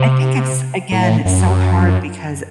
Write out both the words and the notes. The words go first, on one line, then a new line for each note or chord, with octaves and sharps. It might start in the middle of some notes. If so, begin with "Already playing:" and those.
I think it's again, it's so hard because
Already playing: C3
A2
F#2